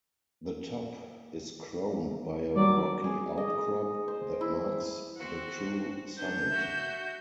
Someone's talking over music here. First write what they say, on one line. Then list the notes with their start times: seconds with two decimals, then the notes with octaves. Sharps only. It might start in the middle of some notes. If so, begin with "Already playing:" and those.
The top is crowned by a rocky outcrop that marks the true summit.
2.56 F#3 G3 D5
3.04 G#4
3.38 D#5
4.08 C5
4.41 E4
5.17 C4 F#4
6.18 B3 D4 G6
6.51 F#4 E5